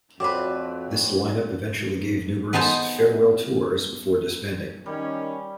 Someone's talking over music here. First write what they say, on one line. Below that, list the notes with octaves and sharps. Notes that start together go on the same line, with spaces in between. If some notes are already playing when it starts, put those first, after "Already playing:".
This line up eventually gave numerous 'farewell tours' before disbanding.
F2 C4 F#4 B4 C#5 D5 D6
B3 D#4 G#4 C5 A5
D#3 G3 C#4